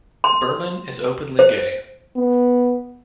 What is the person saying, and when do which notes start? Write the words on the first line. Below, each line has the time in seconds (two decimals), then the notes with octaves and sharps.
Berman is openly gay.
0.24 C6
1.39 C5
2.16 B3